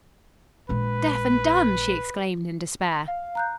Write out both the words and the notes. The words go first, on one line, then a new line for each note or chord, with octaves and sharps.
"Deaf and dumb!" she exclaimed in despair.
A#1 G#3 B4
F5
A#5 F#6 G6